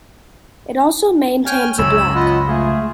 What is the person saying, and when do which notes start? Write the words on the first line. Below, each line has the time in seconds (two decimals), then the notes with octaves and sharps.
It also maintains a blog.
1.46 C#4 G5 G#5 F6
1.79 C#2 F#2 C#5 B5 E6
2.15 F4 D#5 F#5 B5
2.48 A3 F4 G#4